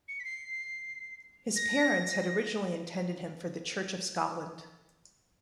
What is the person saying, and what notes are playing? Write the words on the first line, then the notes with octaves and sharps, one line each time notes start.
His parents had originally intended him for the Church of Scotland.
C#7
B6
C7
A#6